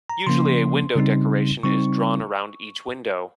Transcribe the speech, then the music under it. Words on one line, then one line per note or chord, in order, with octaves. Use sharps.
Usually a window decoration is drawn around each window.
A#5
C#3 F3 A#3 C#4 C6
C#3 G3 C4 D#4
C#3 G3 C4 D#4 C#6